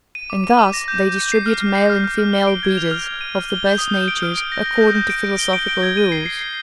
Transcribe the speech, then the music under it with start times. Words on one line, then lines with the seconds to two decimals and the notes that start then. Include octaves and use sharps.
And thus they distribute male and female breeders of the best natures according to philosophical rules.
0.15 D#7
0.30 D6
0.44 D#7
0.59 D6
0.73 A#6
0.88 G6
1.02 G6
1.17 G6
1.32 C7
1.46 F6
1.60 F6
1.75 C7
1.90 F6
2.04 F6
2.18 F6
2.33 G7
2.47 D7
2.63 G#6
2.77 F7
2.91 F6
3.06 F6
3.21 D#7
3.35 F6
3.50 G7
3.65 G6
3.78 D#6
3.94 G6
4.08 D7
4.23 F6
4.38 D7
4.52 A#6
4.66 A#6
4.81 G6
4.95 G6
5.10 D7
5.24 D7
5.39 G7
5.53 D7
5.68 D7
5.83 G#6
5.97 D#7
6.12 C7
6.26 C7
6.41 C7